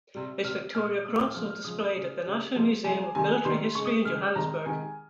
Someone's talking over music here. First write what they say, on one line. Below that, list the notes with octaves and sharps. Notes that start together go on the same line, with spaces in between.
His Victoria Cross was displayed at the National Museum of Military History in Johannesburg.
C3 G3
C3 G3 F6
A#2 G#3 F6
A#2 G#3 D#6
C#3 F3 G#3 F6
F6
C#3 F3 G#3 D#6
D#6
C#3 G3
C#3 G3
C3 F3 G#3
C3 F3 G#3 G#5
C3 D#3 G3 G#5
C3 D#3 G3 C6
C#3 G#3 C#6
D#6
C#3 G#3 F6
C3 D#3 G#3 A#5
C3 D#3 G#3 G#5